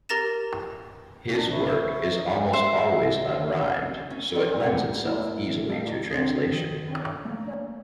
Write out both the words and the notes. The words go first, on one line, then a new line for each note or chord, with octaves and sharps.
His work is almost always unrhymed, so lends itself easily to translation.
G4 A#4 A#5 A6 A#6 E7
C5 E5 B5 C#6
C5 E5
C#4
D#3 D5 D#5
C3 F#3 B3 A4 F#5 G5
A2 A#3 E4
G3 A3 C5 D#5 F5
F4 G4 A#4 C#5 D5
C4 D4 G#4
D#3
A3 A#3